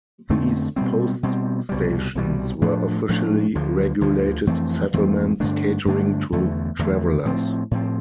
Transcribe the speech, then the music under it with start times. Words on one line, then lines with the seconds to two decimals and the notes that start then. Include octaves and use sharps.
These post stations were officially regulated settlements catering to travelers.
0.29 F2 D3 A3 C4
0.76 B2 G3 C4
1.23 B2 G3 C4
1.69 C2 B2 G3
2.15 C2 B2 G3
2.61 A2 F3 A3 D4
3.09 A2 F3 A3 D4
3.55 D2 D3 F3
4.01 D2 D3 F3
4.47 F2 E3 A3 C4
4.93 F2 E3 A3 C4
5.40 G2 D3 A3 D4
5.86 G2 D3 A3 D4
6.32 E2 D3 A3
6.79 E2 D3 A3
7.25 A2 F3 C4
7.71 A2 F3 C4